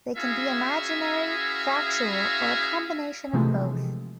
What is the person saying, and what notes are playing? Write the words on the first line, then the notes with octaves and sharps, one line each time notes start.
They can be imaginary, factual or a combination of both.
C#4 E4 F#4 G#4 E5 F5
C3 E3 F3 G#3 A3